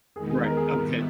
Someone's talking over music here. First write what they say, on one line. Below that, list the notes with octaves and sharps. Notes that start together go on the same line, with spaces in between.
Right, okay.
E2 D#3 G#3 B3 G#4
G#4
A#4
G#4
A#4
G#2 D#3 G3 B3 E4